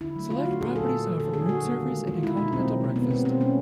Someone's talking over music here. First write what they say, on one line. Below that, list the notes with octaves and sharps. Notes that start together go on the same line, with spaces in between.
Selected properties offer room service and a continental breakfast.
D3 E4
F#3 A3
D3 F4
F#3 A3 F#4
A#2 G#4
F#3 A#3 A4
A#2
F#3 A#3
D3 A4
G3 A#3 G#4
D3 F#4
G3 A#3
D#3
G#3
D#3 F4
G#3 E4
B2 D#4
F#3 A#3 C4
B2
F#3 A#3
B2 B3
G3 A#3 C4
B2 C4
G3 A#3 C#4